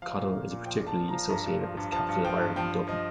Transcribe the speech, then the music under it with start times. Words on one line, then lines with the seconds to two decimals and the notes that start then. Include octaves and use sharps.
Coddle is particularly associated with the capital of Ireland, Dublin.
0.02 F3 F5
0.18 A#2
0.34 A#2
0.50 A#2
0.66 F3 G5
0.82 A#2 A5
0.98 F3
1.09 A#5
1.13 F3
1.29 G2 A#5
1.46 G2
1.61 F3
1.77 G2
1.92 F3 A5
2.09 G2
2.25 F3 G5
2.41 G2
2.56 F3 G5
2.72 F3
2.88 F3 D#5